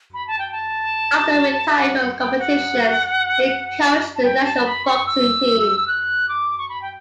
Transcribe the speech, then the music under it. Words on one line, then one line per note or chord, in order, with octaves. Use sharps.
After retiring from competitions he coached the national boxing team.
B5
A5
G5
A5
E5
F#5
F#5
G5
F#5
A5
G5
A5
B5
C#6
E6
F#6
D6
C#6
B5
G5